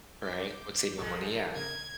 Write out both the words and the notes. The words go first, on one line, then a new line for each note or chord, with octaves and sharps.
Right, would save more money, yeah.
D6 G6
B1 G#2 G3 G#3 A4 A#4 D#5
C#3 G#6